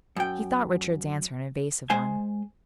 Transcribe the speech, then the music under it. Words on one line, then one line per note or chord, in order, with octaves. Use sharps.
He thought Richard's answer an evasive one.
F#2 G5
G#3 C5 G#5